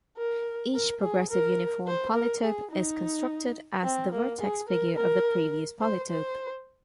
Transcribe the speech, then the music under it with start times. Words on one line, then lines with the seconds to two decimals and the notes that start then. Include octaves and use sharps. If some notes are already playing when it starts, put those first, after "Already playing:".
Each progressive uniform polytope is constructed as the vertex figure of the previous polytope.
0.17 A#4
0.74 A#4
1.02 G#4
1.30 A#4
1.87 C5
2.15 A#4
2.43 G#4
2.71 D#4
3.84 C4
4.12 A#3
4.41 G#4
4.69 A#4
4.97 A#4
5.81 C5
6.10 C5